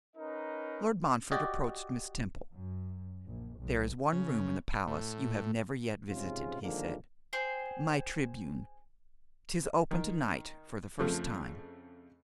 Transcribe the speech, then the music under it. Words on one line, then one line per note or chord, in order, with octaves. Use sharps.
Lord Montfort approached Miss Temple. 'There is one room in the palace you have never yet visited,' he said, 'my tribune; 'tis open to-night for the first time.'
C#4 D#4 A#4 B4 D#5
F#4 G4 D5 D#5
F#2
A#1
B1
C#3
A2
G#2 C3 G#3 C#4 F4
D3 D#3 F3 G#3 A#3
G#4 C5 G5
D#3
F2 C#3 F3 A3